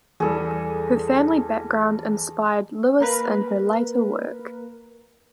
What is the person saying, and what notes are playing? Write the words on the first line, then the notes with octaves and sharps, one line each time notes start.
Her family background inspired Lewis in her later work.
E2 G3 G#4 A4
A#3 A#4 B4